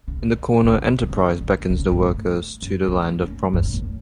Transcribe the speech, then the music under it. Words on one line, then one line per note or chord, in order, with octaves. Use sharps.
In the corner "Enterprise" beckons the workers to the Land of Promise.
C#3
D3
C#3
C#3
D3
D3
C#3
G2
A2
F#2
F#2
E2
F#2
F#2
B2
A2